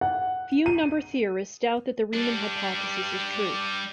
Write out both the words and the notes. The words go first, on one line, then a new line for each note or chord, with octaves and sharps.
Few number theorists doubt that the Riemann hypothesis is true.
F#5
D#7
G3 D4